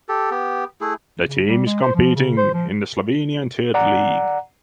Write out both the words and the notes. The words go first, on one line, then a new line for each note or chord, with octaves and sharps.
The team is competing in the Slovenian Third League.
G4 A4
B3 G4
A3 E4 G#4
C#3
G3
G#3
C5
F3
C#3
C5
F3
D5 F#5 A#5